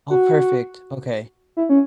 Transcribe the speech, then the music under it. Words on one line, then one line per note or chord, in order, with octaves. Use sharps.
Oh, perfect, okay.
F#4
E4
C#4